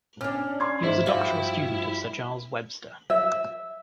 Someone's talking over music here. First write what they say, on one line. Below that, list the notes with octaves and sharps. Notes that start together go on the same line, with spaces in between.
He was a doctoral student of Sir Charles Webster.
C#4 D4 F6
C6 D6 G#6
G#2 E4 C5 B6
G2 F3 E4 F#4 F5
E5